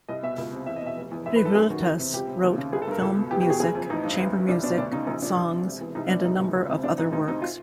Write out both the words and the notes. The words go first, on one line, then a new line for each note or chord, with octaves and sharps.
Revueltas wrote film music, chamber music, songs, and a number of other works.
C2 D#5
B2 E5
C#2
C3
E2 E5
D#5
B2
E5
F1
E2
A1 E5
B4
G#2 A4
F#2 G#4
D#3 F#4
E2
C3
C#2 G4
C3
D#2
C#3
G1 G#4
A4
G2 A#4
C#2 A4
B2
E2 G4
G4
B2 G#4
F#1 G#4
F2
A1 D#4
G2
G1
F#2
C2 D4
B2 D4
D2 D4
C#3 D#4
A#1 D#4
A#2 D4
C2
C3
E1
E2
C2 D#4
B2 D4
E1 D#4
D2
C#2
C3
A1 D4
G#2 D#4
D2 D#4
C3 D#4
F4